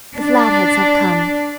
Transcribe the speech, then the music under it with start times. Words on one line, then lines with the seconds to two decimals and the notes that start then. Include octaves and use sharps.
"The Flatheads have come."
0.15 D4